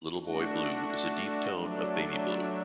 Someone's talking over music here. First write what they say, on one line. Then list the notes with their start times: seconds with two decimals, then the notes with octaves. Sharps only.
Little boy blue is a deep tone of baby blue.
0.21 A3 D4 F#4
1.52 F#3 A3 D4